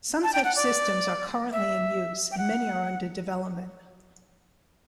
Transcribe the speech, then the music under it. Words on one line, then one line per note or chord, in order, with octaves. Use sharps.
Some such systems are currently in use, and many are under development.
A5
G5
F#5
D5
E5
G5
F#5